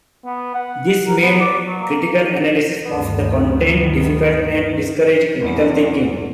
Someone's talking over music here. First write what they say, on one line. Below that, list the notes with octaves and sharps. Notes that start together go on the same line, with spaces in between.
This made critical analysis of the content difficult and discouraged critical thinking.
B3
F#5
A#4
B3
D5
F#3
A#3
D2 G2 D#3 B3
E2